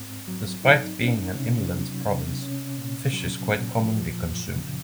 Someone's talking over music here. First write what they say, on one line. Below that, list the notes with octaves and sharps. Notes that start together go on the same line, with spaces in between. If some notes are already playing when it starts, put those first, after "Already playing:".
Despite being an inland province, fish is quite commonly consumed.
Already playing: G#2 C4
F#3
D#4
C#4
C3
F#3
C3
C#4
A#2
F#3
A#2
F3
F#2
C#3